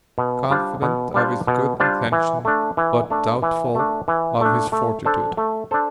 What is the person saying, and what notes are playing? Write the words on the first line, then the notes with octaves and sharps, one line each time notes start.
Confident of his good intentions but doubtful of his fortitude.
B2
G3 D4 F4 C5
B2
G3 D4 F4 C5
B2
G3 D4 F4 C5
E3
A3 D4
E3
A3 D4
E3
A3 D4
E3
A3 D4
A3
D4 A4 C5
A3
D4 A4 C5